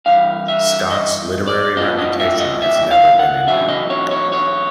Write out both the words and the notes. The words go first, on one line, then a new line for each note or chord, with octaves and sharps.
Scott's literary reputation has never been in doubt.
G2 E3 F5
E5
D#5
D5
C2 A#2 F3 D#5
D#5
E5
D#5
E5
F5
F#5
E2 B2 F#3 E5
D#5
C#5
C#5
C#5